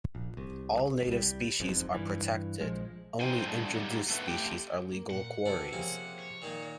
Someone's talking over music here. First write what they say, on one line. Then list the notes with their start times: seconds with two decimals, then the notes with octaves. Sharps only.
All native species are protected, only introduced species are legal quarries.
0.15 A#1
0.37 C2
1.08 C2 G3
1.60 E1 B1 F2 G#2
1.94 G2 E3
2.60 A#1 F3 G#3
3.20 E2 E3 D#4 C5 G5 G#5
3.45 F#3 G3 A3 D4 F#4 G#4
3.73 F#3 G3 A3 C#4 D#4 G4
4.09 A3 B3 A4 B4 E5
4.27 A3 G4 G5
4.92 A#3
5.10 A#2 A#3 F#5
5.46 C3 A3 D4 F4 G#4 B4
5.73 C3 F3 A#3 C#4 G4 G#4
6.19 C#5
6.42 A#2 D#3 A#3